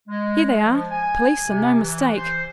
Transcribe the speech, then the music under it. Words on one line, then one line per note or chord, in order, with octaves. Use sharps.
'Here they are--p'leece, and no mistake.
G#3
F3
G#5
C3
E3
C5